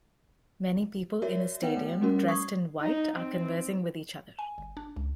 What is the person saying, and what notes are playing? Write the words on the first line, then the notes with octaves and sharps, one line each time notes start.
Many people in a stadium dressed in white are conversing with each other.
F#4 A#4 C#5 D5 E5
B3 D#4 B4 C#5 F#5 G5
A3
G3 A3 C#4 F#4 A#4
C#6 D#6 G#6 C7
D#4
C4
G#5
G1
D4
C#2